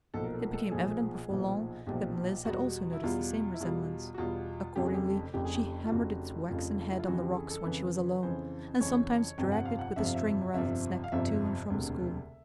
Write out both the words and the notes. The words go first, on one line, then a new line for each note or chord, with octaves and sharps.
It became evident before long that Mliss had also noticed the same resemblance. Accordingly she hammered its waxen head on the rocks when she was alone, and sometimes dragged it with a string round its neck to and from school.
B1 A#2 F3 A4
A#4
A4
A#4
A4
B1 A#2 F3 G#4
B1 A#2 F3
B1 A#2 F3 G4
E2 B2 G3 F#4
E4
E2 B2 G3 F4
E4
E2 B2 G3 F4
F#4
E2 B2 G3 F4
F1 F2 C#3 G4
G#4
G4
F1 F2 C#3 G4
G#4
G4
F4
F1 F2 C#3 F#4
F1 F2 C#3 F4
E4
F4
F2 C#3 E3 F#4
G4
A4
G#4
A4
F2 C#3 E3 B4
F2 C#3 E3 C5
F2 C#3 E3 C#5
G1 F2 C3 F3 G5
F#5
F5
F#5
G1 F2 C3 F3 E5
F5
E5
G1 F2 C3 F3 E5
F5
G1 F2 C3 F3 E5
E1 D2 C3